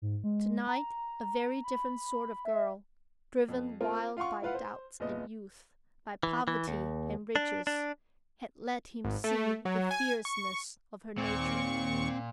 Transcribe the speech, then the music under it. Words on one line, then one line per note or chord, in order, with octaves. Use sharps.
To-night a very different sort of girl--driven wild by doubts and youth, by poverty and riches--had let him see the fierceness of her nature.
G#2
G#3
A#5
B5
E5
F2
A#3 C4 F4 A#4
F4 F5 F#5 C6 C#6
E4 F4 B4 F5 F#5
C5
F#1 A#2 B3 D#5
E3
E3
D#2
D4
D4
G#1
A3
F#3
G#5
C#6
D#2 A#2 C4 C#6